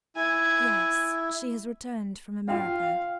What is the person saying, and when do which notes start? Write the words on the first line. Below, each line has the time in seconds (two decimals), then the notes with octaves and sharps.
"Yes; she has returned from America."
0.16 E4 G#5
2.49 F4 F5 G5